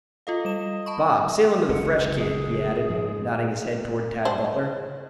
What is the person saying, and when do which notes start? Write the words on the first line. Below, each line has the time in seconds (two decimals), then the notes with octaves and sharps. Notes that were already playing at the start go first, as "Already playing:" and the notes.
"Bob, sail into the fresh kid," he added, nodding his head toward Tad Butler.
0.27 F4 A4 D#5 F5
0.45 G3 E7
0.86 A5 B5 C#6
1.69 F#1 C#2 C3 F#5
2.14 G#4
2.90 G#2 F3 G#3
4.25 D4 C5